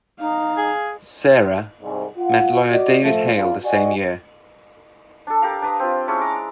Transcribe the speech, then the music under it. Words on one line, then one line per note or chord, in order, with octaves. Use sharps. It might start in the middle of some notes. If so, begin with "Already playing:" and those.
Sarah met lawyer David Hale the same year.
D#4 F5
G#4
C2 G#2
F4 F#5
F#4 D5 D#5
F3 A3
E2 F4
F#4 D5 D#5 G#5
D4 A4
G4 A#4 F5
D4 B4 D#6
C4 F4
G#3 C#4 D4 E4
A#5 D6